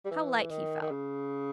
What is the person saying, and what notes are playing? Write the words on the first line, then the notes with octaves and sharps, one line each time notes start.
How light he felt!
G3
E3
D#3
D#3
C#3